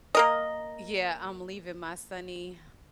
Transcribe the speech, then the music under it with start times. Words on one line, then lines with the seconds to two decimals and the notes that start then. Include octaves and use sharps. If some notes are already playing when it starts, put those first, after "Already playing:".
yeah, I'm leaving my sunny
0.15 A#3 A#4 D#5